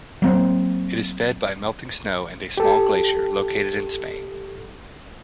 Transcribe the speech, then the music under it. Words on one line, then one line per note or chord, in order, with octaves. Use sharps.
It is fed by a melting snow and a small glacier, located in Spain.
F#3 A#3 C4
G4 A4